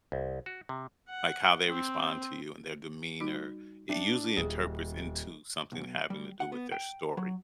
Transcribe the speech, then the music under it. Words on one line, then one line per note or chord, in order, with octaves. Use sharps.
like how they respond to you and their demeanor, it usually interprets into something having to do with their story,
C2
F#4
C3
F#5
C4
G3 D#4 F#4
D4 E5 G5 A5
D#1 G#4
B1
G3
F#5
B3
G5
F#3